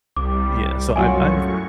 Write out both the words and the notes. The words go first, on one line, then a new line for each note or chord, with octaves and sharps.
Yeah, so, I've I've
C2 G3 D6
F#2 A2 F#3 F4 F#4 G#5 C#6